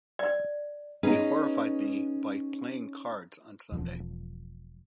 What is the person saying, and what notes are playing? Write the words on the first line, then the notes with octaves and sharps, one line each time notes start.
He horrified me by playing cards on Sunday.
D5
C#4 D#4 G#4 B4
E1 F3